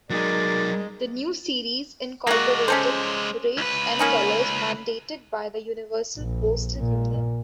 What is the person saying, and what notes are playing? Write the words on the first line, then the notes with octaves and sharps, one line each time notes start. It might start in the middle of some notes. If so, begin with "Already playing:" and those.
The new series incorporated rates and colors mandated by the Universal Postal Union.
F#3 G#3 D#4 A#4 D5
G#3 A#3 F#4 D5
C#4 A4 C5
C#2 B4
A#3 C#4 D#4
A#1
A#2